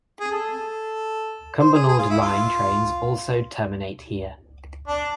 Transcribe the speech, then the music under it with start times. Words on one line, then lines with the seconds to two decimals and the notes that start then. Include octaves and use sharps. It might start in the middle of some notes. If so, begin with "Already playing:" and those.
Cumbernauld Line trains also terminate here.
0.20 G#4
0.31 A4
1.59 C5
1.74 G#4
1.88 G#4
1.99 F4
2.10 E4
2.21 F4
4.88 D4